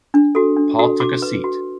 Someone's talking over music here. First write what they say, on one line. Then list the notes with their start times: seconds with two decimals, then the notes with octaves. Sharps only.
Paul took a seat.
0.14 D4
0.35 F#4 A4
0.57 D4
0.79 F#4 A4
1.00 F#4 D6
1.22 B4
1.44 F#4